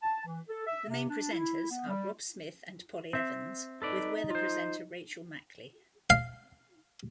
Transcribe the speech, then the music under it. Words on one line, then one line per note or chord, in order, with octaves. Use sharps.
The main presenters are Rob Smith and Polly Evans with weather presenter Rachel Mackley.
A5
E3
A4
E5
C3
D4
E4
B3
G3
C4 E5
D#4 A4 B4 D5
F4 C5
F5